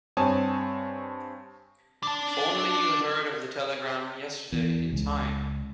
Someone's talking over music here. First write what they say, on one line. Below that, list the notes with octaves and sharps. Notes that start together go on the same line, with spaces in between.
If only you had heard of the telegram yesterday in time!
G2 C4 C#5 G#5 A5 D#6
D4 A5
E2
C#2